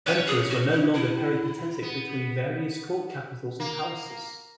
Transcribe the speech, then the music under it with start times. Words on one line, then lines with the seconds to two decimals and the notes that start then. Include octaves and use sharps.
Emperors were no longer peripatetic between various court capitals and palaces.
0.06 C#4 B4
0.27 G#4
0.50 F#4
0.72 E4
0.94 E4
1.82 B3
3.60 A#3